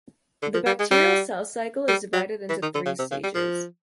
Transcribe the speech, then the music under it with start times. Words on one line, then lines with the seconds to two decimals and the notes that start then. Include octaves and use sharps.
The bacterial cell cycle is divided into three stages.
0.42 D3
0.54 F3
0.66 G3
0.79 G#3
0.91 G3
1.88 G3
2.13 F#3
2.49 E3
2.62 D#3
2.75 D3
2.86 C#3
2.99 C3
3.11 C#3
3.23 G3
3.35 F3